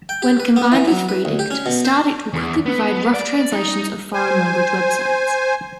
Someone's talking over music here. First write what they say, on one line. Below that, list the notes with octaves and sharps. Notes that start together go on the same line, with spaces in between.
When combined with Freedict, StarDict will quickly provide rough translations of foreign language websites.
G5
G4
B4
B3
E3
F#3
B4
D2
G4
C#4
B2
C5
E2
B3
D5
D#4
C5 G#5